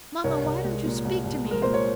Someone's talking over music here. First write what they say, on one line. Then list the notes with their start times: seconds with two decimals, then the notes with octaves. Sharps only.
Mamma, why don't you speak to me?
0.24 C2 A#4 C#5
0.44 C2
0.64 G#3
0.85 A#2
1.05 C2
1.25 C2
1.45 G#3
1.51 A#4
1.62 A#2 C5
1.74 C#5